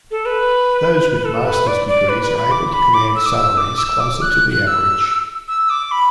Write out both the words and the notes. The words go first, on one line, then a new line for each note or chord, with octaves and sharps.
Those with master's degrees are able to command salaries closer to the average.
A4
B4
A4
B4
D5
D5
B4
B4
B5
D6
B5
D6
E6
D6
E6
D6
E6
D6
F#6
F#6
F#6
E6
E6
D6
B5